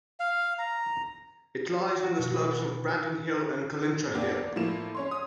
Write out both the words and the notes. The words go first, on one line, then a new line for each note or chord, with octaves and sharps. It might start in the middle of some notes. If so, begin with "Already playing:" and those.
It lies on the slopes of Brandon Hill and Cullintra Hill.
F5
A#5
F#4
B2
B4
A#3 B3 D4 G4
A2 F3 A#3 E7
C#4 C#5 C6
D#6